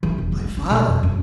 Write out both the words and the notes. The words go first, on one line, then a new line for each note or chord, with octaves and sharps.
"My father!"
E3
E1
D2
G#3
D#4
B2
F2
F#2